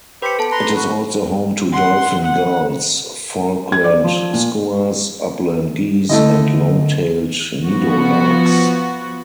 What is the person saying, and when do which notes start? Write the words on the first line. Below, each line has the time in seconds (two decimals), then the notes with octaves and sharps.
It is also home to dolphin gulls, Falkland skuas, upland geese and long-tailed meadowlarks.
0.22 G4 B4 C5 B5 C#7
0.39 B3 A4 A5
0.52 B4 A#5 C6
0.76 F#4 B4
1.73 F#5 C6
2.23 F#5
3.72 G#6
3.84 D5
4.04 F3
4.33 A#2
6.09 D3 A3 E4 D#5
7.65 F3 B3 F#4